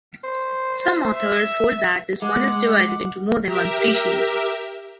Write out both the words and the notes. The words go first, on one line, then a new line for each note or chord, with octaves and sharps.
Some authors hold that this one is divided into more than one species.
C5
E5
G#3 F#5 D6
G4 A#4 E5